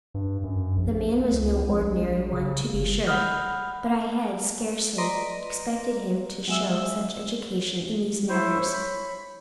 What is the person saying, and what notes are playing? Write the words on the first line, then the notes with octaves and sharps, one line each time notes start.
The man was no ordinary one, to be sure, but I had scarcely expected him to show such education in these matters.
G2
F#2
A#1
C#2
A#1
C#3
G1
F#5 B5 D#6 F6 G6
B4 D5 D#5 A#5 C6 A#6
F#3 G#3 E5 E6
E4 C5 C#5
B5